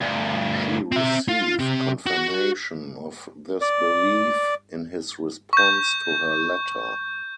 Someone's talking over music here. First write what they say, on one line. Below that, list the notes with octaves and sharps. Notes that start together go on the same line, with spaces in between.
She received confirmation of this belief in his response to her letter.
D2 G2
C4 E5
F4
C3 C4
F#4
D5
C#6 G6